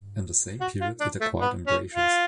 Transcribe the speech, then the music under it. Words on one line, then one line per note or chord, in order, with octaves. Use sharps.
In the same period, it acquired embrasures.
F#4
F4
D4
A3
B3
C#4
F4